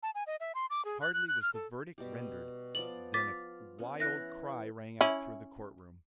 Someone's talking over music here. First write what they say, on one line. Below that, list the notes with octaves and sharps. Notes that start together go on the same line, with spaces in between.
Hardly was the verdict rendered than a wild cry rang out through the courtroom.
A5
G#5
D#5
E5
C6
D6
G#4
F#6
F#6
F#6
F6
A4
B2 G3 G4
F3 B3 D5 F#7
F4 D6 A6 B6
B3 C#4
E3 E4 F#6 A#6
C#4 E4